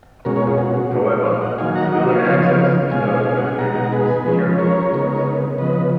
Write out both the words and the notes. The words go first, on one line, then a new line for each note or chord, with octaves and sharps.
However, civilian access is no longer permitted for security reasons.
B2 G#3 C#4 F#4 A#4
A#4 C#5
F4 G#4
F#4
A#2 G#3 D#4
C#5 F5
D#5 F#5
D#3 F#3 A#3 D#4 F5 G#5
F#5 A#5
D#5 F#5
C#5 F5
C#3 F3 B3 D#4
B2 G#3 C#4 F5 G#5
D#5
F5
F#5
G#5
B2 G#3 D#4 F#5 A#5
F#5 A#5
G#4 B4
F3 G#3 C#4
A#4 C#5
C#3 G#3 B3 D#4
C#3 F3 B3 B4 D#5